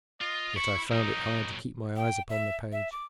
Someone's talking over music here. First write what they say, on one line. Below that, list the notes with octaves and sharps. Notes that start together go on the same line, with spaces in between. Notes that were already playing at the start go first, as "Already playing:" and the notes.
Yet I found it hard to keep my eyes upon the page.
F4 D#5
E4 B5 C#6
A#2 F#3 D#4
G5
E5
E5
D6